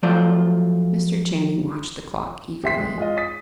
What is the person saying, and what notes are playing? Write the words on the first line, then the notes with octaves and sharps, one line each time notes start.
Mr. Channing watched the clock eagerly.
F3 F#3 A3 F4 C5 D5
G4 E5 C6 B6 C7
G#3
G#3 F4 D#5
D#6 A6 B6